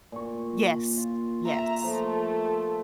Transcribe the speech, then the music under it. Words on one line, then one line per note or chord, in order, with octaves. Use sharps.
Yes, yes.
A#2 C#6
F4
E5 A#5
F3 A3